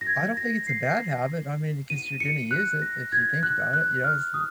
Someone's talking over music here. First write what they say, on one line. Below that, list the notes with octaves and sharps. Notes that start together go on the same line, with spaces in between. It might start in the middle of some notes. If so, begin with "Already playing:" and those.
I don't think it's a bad habit. I mean, y 'cause you're gonna use it if you think about it. Yeah, it's
A#6
G#6
A#6
C7
D#7
C#7
F#6
A#6
G#6
F#6
F#6
F6
D#6